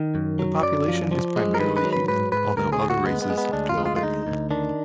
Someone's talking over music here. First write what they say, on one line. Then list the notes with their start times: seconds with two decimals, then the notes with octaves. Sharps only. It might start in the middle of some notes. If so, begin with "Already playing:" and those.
The population is primarily human although other races dwell therein.
Already playing: D#3
0.15 F#2
0.39 F#3
0.63 F#2 D5
0.88 F3
1.11 F3
1.36 G#3
1.55 A#4
1.60 D#3 B4
1.77 B4
1.85 F#3
1.93 B4
2.08 G#2 B4
2.32 G#2 B4
2.57 D2 A#4
2.72 G#4
2.82 D2
2.90 F#4
3.05 G#3 B3
3.22 B3
3.30 G#3
3.38 B3
3.53 D2 D4
3.69 F4
3.77 G#3
3.86 F4
3.96 F4
4.02 D2 D#4
4.27 D2
4.51 D#3 D4